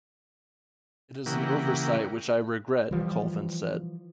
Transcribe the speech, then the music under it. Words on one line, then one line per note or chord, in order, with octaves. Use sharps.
It is an oversight which I regret, Colvin said.
C#3 E3 A#3 G4 F#5
E3 F3 G3